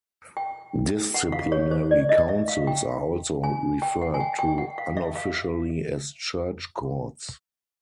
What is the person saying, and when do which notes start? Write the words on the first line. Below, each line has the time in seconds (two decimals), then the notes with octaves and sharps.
Disciplinary councils are also referred to unofficially as church courts.
0.37 G5
1.14 F#5
1.32 F5
1.52 C#5
1.71 C5
1.91 D5
2.09 D#5
2.29 E5
2.48 F5
2.67 G5
3.44 G#5
3.82 G5
4.02 F#5
4.14 G#5
4.20 G5
4.39 G5
4.58 F#5
4.78 F5
4.97 E5
5.15 F5